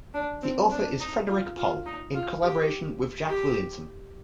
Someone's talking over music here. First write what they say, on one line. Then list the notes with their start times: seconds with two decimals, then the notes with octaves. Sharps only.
The author is Frederik Pohl, in collaboration with Jack Williamson.
0.14 D4
0.43 C4
0.71 D4
1.00 D#4
1.28 F4
1.57 F4
1.86 D#4
2.14 F4
2.43 G4
3.29 G4